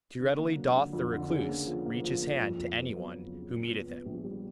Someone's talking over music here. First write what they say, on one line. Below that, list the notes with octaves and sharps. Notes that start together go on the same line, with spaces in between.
Too readily doth the recluse reach his hand to any one who meeteth him.
D3
A#3
F#3
D3
F2
D3
C#3
A#3
F3
A#3
F3
A#3
F2
F2
B3
F#3
F#3
C#3
A#2
B3
B3
A#1
G3